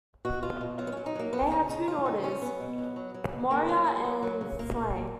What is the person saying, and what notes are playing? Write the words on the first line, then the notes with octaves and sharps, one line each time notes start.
They had two daughters, Moira and Shelagh.
B2 F#4
B2 F4
B2
F#3 F4
B3
F#3 C#4
D#4
F#3 A#3
F3 B3
D#4
C#3 C#4
C#3 D#4
C#3 F4
C#3 D#4
F3 C#4
F#3 B3
B2
F#3
F#3
F#3
B2
C#3 A#3
F#3
F#3
F#3
F#3
C#3
A#2 A#3
A#2
A#2